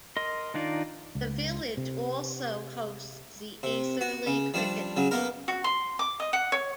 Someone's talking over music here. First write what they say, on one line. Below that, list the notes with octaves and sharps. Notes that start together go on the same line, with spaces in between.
The village also hosts the Etherley Cricket Club.
A#4 D#5 C6
D#3 D4 D#4 F4 D5
C#2
C3
C3
F#4
C#3
F3 G3 D4
C#3 F#3
A#3 B3 A#4
F#4
C6
D6
D#5
F#5
C#5